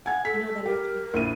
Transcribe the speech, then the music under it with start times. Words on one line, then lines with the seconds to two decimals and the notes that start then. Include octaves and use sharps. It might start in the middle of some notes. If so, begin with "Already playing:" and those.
you know, that actually
0.06 F#5 G#5 G#6
0.25 A4 B6
0.66 G4 A#4
1.14 A#1 E4 D#7